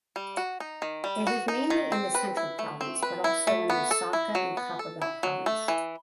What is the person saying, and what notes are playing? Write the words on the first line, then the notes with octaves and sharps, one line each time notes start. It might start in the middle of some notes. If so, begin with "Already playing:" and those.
They live mainly in the Central province but also in Lusaka and Copperbelt province.
G3
F#4
D#4
D#3
G3
F#4
D#4
D#3
C4
B4
E4
A3
C4
B4
E4
A3
B3
A4
E4
F#3
B3
A4
E4
F#3
A3
E3